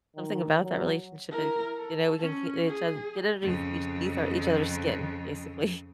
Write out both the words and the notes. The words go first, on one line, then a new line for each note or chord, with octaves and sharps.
something about that relationship, like, you know, we can k each other get underneath each eth each other's skin, basically.
D#3
F#3
E4 A#4
A4
C#4
G#4
F2 C#3